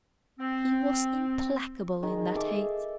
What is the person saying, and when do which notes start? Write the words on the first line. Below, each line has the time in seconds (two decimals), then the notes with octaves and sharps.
He was implacable in that hate.
0.40 C4
2.03 D#3 G#4
2.35 A4 E5 D6